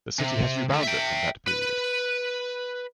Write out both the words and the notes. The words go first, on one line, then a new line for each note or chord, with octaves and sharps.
The city has rebounded from that period.
C3
D2 A3
E5 G5
B4